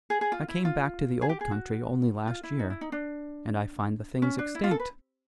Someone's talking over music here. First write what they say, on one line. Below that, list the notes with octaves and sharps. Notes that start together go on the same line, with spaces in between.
I came back to the old country only last year, and I find the thing's extinct.
G#4
G#4
F4
E4
F4
G#4
G4
G#4
F#4
F4
E4
D#4
E4
D#4
D4
C#4
D4
E4
F4
A4
B4